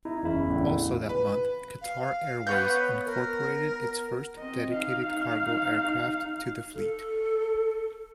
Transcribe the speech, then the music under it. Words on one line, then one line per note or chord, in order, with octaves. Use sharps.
Also that month, Qatar Airways incorporated its first dedicated cargo aircraft to the fleet.
D#4 E4
F#1 E2 C#3 E4
A1 D4
B4
F5
B3 B4 C#5 G6
A#4
C4 D#5
D#4 F5
A4